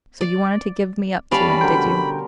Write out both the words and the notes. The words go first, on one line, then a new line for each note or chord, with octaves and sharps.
So you wanted to give me up to him, did you?
D5
G3 C#4 D5 F5 G#5 A5 B5
B2 D3 A#4 G5 C6